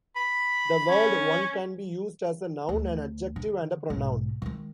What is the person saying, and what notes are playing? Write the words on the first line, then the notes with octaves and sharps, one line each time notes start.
The word one can be used as a noun, an adjective and a pronoun.
B5
C#4
D2
D3
B1 G#2
D#3 G#3